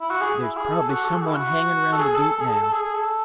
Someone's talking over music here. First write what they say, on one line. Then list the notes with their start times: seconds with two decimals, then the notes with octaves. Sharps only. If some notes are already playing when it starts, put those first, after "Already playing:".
There's probably some one hanging around the gate now.
0.01 E4
0.10 F#4
0.21 G#4
0.42 E4
0.57 G#4
0.73 A4
0.89 F#4
1.04 A4
1.15 G#4
1.22 F#4
1.26 E4
1.36 F#4
1.92 A4
1.99 G#4
2.15 A4
2.30 A4
2.40 G#4
2.47 A4
2.63 A4
2.72 G#4
2.83 G#4
2.94 A4